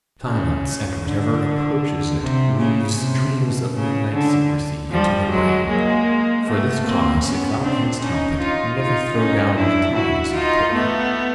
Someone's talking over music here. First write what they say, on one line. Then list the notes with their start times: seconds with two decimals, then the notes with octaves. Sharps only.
Silence, and whatever approaches it, weaves dreams of midnight secrecy into the brain: For this cause, if thou canst help it, never throw down the tongs and poker.
0.26 C#3
1.04 D3
2.20 C3
2.58 C#3
2.98 C3
3.36 B2
3.75 C#3
4.14 D3
4.91 F3 G3
5.30 F#3 G#3
5.68 G#3 A#3
6.46 A3 B3
6.85 A#3 C4
7.24 B3 C#4
7.63 C4 D4
8.02 C#4 D#4
8.40 D#4 F4
8.79 D#4 F4
9.18 C#4 D#4
9.56 D4 E4
9.95 E4 F#4
10.34 D#4 F4
10.73 A3 B3